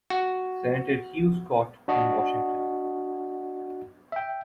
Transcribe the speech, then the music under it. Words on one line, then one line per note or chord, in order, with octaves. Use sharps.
Senator Hugh Scott in Washington.
F#4
D4 F#4 D#5
E5 G5